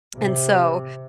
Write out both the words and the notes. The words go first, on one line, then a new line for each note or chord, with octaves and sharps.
and so
C3